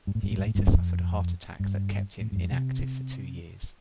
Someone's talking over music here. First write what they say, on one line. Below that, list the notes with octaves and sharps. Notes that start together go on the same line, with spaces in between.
He later suffered a heart attack that kept him inactive for two years.
G2
A2
G2
A2
G2
A2
G2
F2
G2
A2
G2
F2
C3